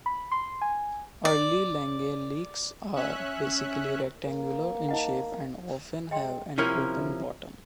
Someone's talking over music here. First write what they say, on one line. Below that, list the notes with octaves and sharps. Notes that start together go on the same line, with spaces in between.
Early langeleiks are basically rectangular in shape, and often have an open bottom.
B5
C6
G#5
D5
C#4 E5 F#6
A#3
D#4 D#5 F#5
G#3 D#5 G5 C6
C3 F3 C#4 E4 A#4